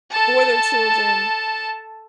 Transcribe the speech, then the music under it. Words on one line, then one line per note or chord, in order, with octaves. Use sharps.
For their children
A4 A5